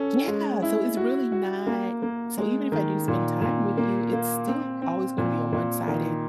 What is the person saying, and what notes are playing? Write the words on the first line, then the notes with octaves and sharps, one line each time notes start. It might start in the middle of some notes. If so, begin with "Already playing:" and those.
Yeah, so it's really not so even if I do spend time with you, it's still always gonna be a one-sided
Already playing: C#4 A4
G#3
E4
F#4
F#4
A#3
A#3
G#3
D#3
A#2
A#2
A#3
A#3
C4
C4
A#2
A#2
D#3